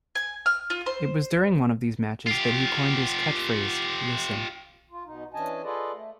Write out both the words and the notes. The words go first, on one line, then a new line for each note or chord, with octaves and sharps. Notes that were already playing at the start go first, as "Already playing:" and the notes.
It was during one of these matches that he coined his catch-phrase Listen...
G#5
F6
F4
C5
F4 G4
F4
B2 D#4
E3 C#4 D4 D#5 G#5 A5
F4 G#4 A4 B4 D5 D#5
A3